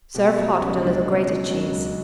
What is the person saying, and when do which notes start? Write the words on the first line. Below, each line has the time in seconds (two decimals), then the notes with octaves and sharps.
Serve hot with a little grated cheese.
0.14 B2 G4
0.38 F#3 F#4
0.60 C#2 C#4
0.82 C#2 D4
1.05 B2 C#4
1.28 F#3
1.51 C#2
1.73 C#2